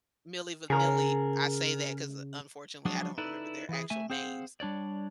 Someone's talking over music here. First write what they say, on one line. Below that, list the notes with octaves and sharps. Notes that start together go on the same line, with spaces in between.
Milli Vanilli. I say that 'cause unfortunately, I don't remember their actual names.
C#3 G#4 A#4
F3 F#3 G#3 D4 G#4
D#4 E4 A4 B4 D5
E3 G#4
A3 E5 G#5
C4 G#4 C5 F5 F#5
G3 D4 C#5 D5